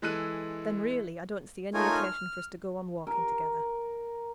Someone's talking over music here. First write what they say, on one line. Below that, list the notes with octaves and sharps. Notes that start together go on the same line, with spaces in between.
'Then, really, I don't see any occasion for us to go on walking together.
E3 G#3 A4 F#6 D#7
A3 D#4 F4 A#4 C#5 G#5
F6
A#4